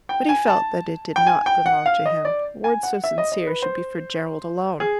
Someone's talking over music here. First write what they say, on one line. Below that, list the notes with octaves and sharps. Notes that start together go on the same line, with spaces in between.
But he felt that it did not belong to him: words so sincere should be for Gerald alone.
G5
G#5
A5
G5
G#5
G5
F#5
F5
D#5
D5
G#5
F#5
E5
D#5
D#5
B4
C5
G#4